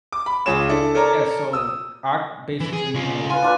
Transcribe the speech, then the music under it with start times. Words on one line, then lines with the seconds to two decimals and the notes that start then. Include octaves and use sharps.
Yeah, so I basically, you know
0.12 D6
0.26 B5
0.46 C#2 F4 G#4 C#5 E7
0.69 D4 E4 A4
0.95 A4 A#4 C#5 D5 A#5
1.53 D#6 E6
2.60 E3
2.73 G#4
2.94 C#3 F4
3.30 F4 B4 G#5
3.42 D4 F4 B4